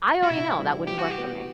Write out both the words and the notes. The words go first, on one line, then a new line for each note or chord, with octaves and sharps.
I already know that wouldn't work for me.
F#4
C3 E4
E3 G3 D4 F#4
E3 G4
F#4
G4
B3 F#4